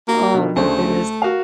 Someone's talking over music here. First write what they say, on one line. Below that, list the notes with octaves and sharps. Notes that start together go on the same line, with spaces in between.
Oh, my goodness.
A#3 F#4
B2 D3 D#3
D2 C#3 A3 C5
F#4 A#4 F5